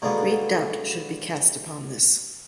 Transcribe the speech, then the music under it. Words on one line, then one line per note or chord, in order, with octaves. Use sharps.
Great doubt should be cast upon this.
B2 D3 G#3 A#3 B3